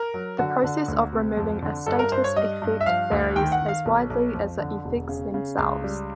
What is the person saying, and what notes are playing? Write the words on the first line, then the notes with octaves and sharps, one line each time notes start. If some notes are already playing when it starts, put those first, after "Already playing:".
The process of removing a status effect varies as widely as the effects themselves.
Already playing: A#4
F#3
D3 F#4
D3
D2
C3
F2
D3
G2 A4
A#4
G2 C5
C#5
G3 D#5
G2
E5
F3 F5
D2
D#3 G5
F#5
D#3
F5
B1
B1
F2
D3
E1
C#3
C#3
C#2
G3